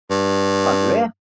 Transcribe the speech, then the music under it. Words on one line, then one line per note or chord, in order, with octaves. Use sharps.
Glad you're here.
G2